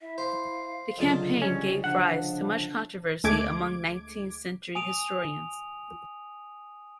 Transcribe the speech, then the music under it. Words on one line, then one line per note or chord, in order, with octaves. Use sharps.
The campaign gave rise to much controversy among nineteenth-century historians.
E4 E5
C5 F5
C#2 D3 F#3 F4 A5
G3 C#4
F3 D4 F#5
D2 G#3 A3 D6 G#6 D7
G#5 D#6 D7 D#7 F7